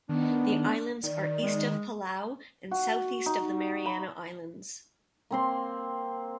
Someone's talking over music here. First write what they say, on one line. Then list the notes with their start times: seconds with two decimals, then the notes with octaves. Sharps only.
The islands are east of Palau and southeast of the Mariana Islands.
0.09 D#3 B3 D4
1.03 D#3 D5
1.43 G#3
2.71 F#4
3.26 D#4
3.86 B5
5.31 A#3 C4 C6